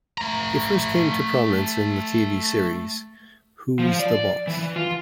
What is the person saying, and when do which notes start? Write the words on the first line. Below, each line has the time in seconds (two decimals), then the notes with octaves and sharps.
He first came to prominence on the television series "Who's the Boss?".
0.18 A3 A#5
3.79 F3
3.99 D5
4.47 E3
4.76 F4